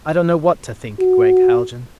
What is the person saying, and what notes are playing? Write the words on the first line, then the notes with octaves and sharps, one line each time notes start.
"I don't know what to think, Gregg Haljan...."
F#4